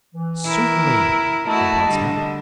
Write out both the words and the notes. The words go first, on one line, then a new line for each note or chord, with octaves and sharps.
'Certainly!' From Podsnap.
E3
E4 A#4
A3 E4 F#4 D#5 A5
D3 G3